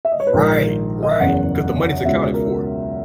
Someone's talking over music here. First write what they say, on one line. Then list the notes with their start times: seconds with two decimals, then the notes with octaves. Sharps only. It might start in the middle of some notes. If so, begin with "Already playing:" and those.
Right, right, 'cause the money's accounted for.
0.05 E5
0.12 D#5
0.20 C#5
0.27 B4
0.33 A#1 G#2 D#3 A#4
1.03 D#5
1.11 E5
1.20 F#1 E2 C#3 F#5
2.05 C#2 B2 E5
2.34 A#4